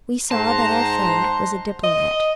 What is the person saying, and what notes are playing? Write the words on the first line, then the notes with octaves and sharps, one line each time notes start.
We saw that our friend was a diplomat.
G#2 C5 F#5 A5 A#5 C6
D#5